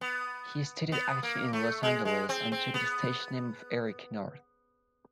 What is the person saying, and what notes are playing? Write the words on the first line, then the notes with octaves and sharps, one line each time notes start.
He studied acting in Los Angeles and took the stage name of Eric Nord.
B3
B3
A#3
A3
G#3
G#3
C4
C4
B3